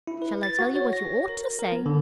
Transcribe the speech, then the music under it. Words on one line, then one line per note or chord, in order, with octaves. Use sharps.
"Shall I tell you what you ought to say?"
E4
B4
A6
F#4
C#5
A#6
A#4
A#4
B3
D3